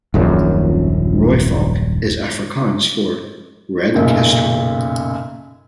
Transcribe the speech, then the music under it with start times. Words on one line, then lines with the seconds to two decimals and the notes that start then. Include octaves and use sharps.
"Rooivalk" is Afrikaans for "Red Kestrel".
0.14 D#1 A#1 F#2
3.94 B1 F#2 A#2 C#3